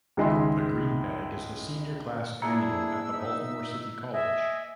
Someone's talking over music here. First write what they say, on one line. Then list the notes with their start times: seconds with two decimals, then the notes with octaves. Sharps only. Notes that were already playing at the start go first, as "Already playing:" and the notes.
"The Green Bag" is the senior class annual at the Baltimore City College.
0.17 C#2 D#3 G#3 D#5 E5 C6
2.42 A#3 D4 E4 G#4 E6
3.12 D#4 E5
4.13 D#5 E5 G#5